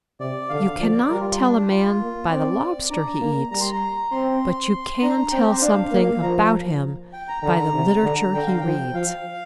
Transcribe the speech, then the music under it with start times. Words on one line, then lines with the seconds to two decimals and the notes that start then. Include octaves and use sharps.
You cannot tell a man by the lobster he eats, but you can tell something about him by the literature he reads.
0.20 C3 D5
0.50 D3 F5
0.80 F3 D5
1.10 G3 A#4
1.20 F4
1.31 F4
1.40 D4
1.71 F4
2.01 A#3
2.30 C4 D5
2.90 D4 A#5
3.21 A#3
3.51 G3 A#5
3.61 C6
3.72 A#5
4.11 C4 C6
5.03 D4 A#5
5.32 C4 G5
5.42 G4
5.52 C5
5.62 D4 F5
5.92 A#3
6.22 F3 A#5
7.13 G5
7.28 A#5
7.43 D3 A#5
7.73 C3
8.03 D3
8.34 D3 G5
8.47 F5
8.61 F3 G5
8.94 F3 F5